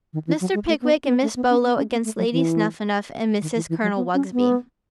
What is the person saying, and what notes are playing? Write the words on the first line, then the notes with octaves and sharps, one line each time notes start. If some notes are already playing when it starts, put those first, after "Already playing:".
Mr. Pickwick and Miss Bolo against Lady Snuphanuph and Mrs. Colonel Wugsby.
D#3
E3
F#3
G#3
A3
B3
C#4
B3
A3
B3
C#4
B3
C#4
B3
A3
F#3
E3
D#3
E3
E3
F#3
B3
C#4
B3